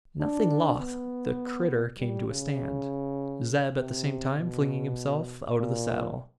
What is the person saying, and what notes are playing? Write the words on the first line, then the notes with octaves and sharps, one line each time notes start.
Nothing loth, the "critter" came to a stand; Zeb, at the same time, flinging himself out of the saddle.
D4
B3
G3
C#3
C3
B2
A#2